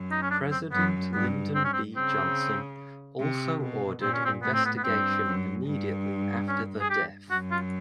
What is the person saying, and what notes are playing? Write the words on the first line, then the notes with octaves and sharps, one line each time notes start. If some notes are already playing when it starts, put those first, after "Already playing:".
President Lyndon B. Johnson also ordered investigation immediately after the death.
Already playing: F#2
D#4
C#4
D4
C4
F#2 B3
G2 B3
C4
C#4
C4
C#3 C4
C3
B2
A#2 C4
C#4
C4
A2 B3
C4
B3
B3
G2 C4
F#2
G2
C#4
G#4
G4
F#2 F#4
F4